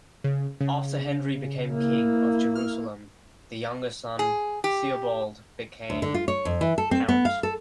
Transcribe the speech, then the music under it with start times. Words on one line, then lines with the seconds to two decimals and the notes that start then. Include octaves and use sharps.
After Henry became king of Jerusalem, the younger son Theobald became count.
0.24 C#3
0.61 C#3
1.72 A#3 E4
2.55 F6
4.19 G#4
4.64 G4
5.90 D2
6.02 D3
6.14 F4
6.28 C#5
6.45 F2
6.61 E3
6.78 A4
6.91 C4
7.08 B3
7.25 F5
7.43 A4